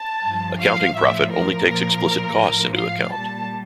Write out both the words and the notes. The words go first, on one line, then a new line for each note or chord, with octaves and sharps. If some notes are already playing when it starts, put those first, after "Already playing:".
Accounting profit only takes explicit costs into account.
Already playing: A5
G2 F3
F5
A2 F3 E5
A#4
A#2 F3 A#4
A2 F3
F5
A#2 G3 A5